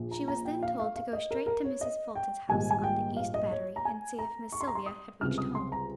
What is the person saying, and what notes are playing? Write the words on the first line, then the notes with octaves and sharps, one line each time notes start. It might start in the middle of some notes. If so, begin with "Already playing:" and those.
She was then told to go straight to Mrs. Fulton's house on the East Battery and see if Miss Sylvia had reached home.
Already playing: A#1 A#2 F3
A#5
A#5
G5
F5
F5
F5
D#5
A#4
A#4
C#5
D#5
G5
A#1 G#2 D#3 G3 G#5
G#5
G5
F5
D#5
C#5
A#5
G#5
A#5
C#6
C6
A#5
C6
D#6
C#2 C3 G3 F6
D#6
C6
A#5